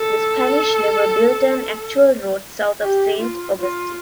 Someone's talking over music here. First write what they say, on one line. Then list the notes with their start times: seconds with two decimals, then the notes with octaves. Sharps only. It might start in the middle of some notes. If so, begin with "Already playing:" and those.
The Spanish never built an actual road south of Saint Augustine.
Already playing: A4
2.82 G4
3.19 F4
3.56 F4